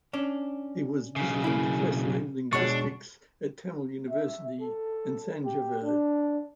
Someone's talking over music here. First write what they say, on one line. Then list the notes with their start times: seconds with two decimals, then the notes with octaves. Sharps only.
He was visiting professor in linguistics at Tamil University in Thanjavur.
0.13 C#4 D4
1.16 B1 C#3
1.44 A#3 E4
2.53 B2 G#3 D4 C#5 C#6
4.10 E5
4.61 A4
5.45 G4
5.83 D4